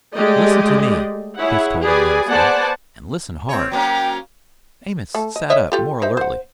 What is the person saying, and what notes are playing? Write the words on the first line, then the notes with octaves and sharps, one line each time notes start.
"Then listen to me," Chris told him earnestly, "and listen hard!" Amos sat up more alertly.
G#3 A3 G4 D5 D#5
E4 G#4 C#5 F#5
G4 G#4 B4 D5 G#5
B3 C5 D5 F#5 G#5 A5
C4 C#5
F#3 A#3 C#4 G5
A3 A4
D#5
C#5 D#5 E5
F4 G4 A4
D#4 C5 E5
C5 F#5